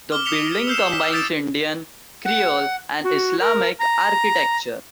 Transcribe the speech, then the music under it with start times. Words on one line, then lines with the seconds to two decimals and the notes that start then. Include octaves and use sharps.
The building combines Indian, Creole and Islamic architecture.
0.12 D6 F6 G7
0.26 D#6 F6 B6 C#7 F7
0.67 E6 F6 G6 C7 E7
0.92 B6 E7
1.12 D#6 G6 A6 B6 D7 E7
2.25 F#5
3.04 F#4
3.40 A#4
3.79 A#5